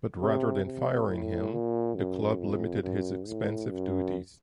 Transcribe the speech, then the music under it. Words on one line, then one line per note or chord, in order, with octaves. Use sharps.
But rather than firing him, the club limited his expansive duties.
C3
C3
A2
A#2
F#2
F2
F#2
A2
F#2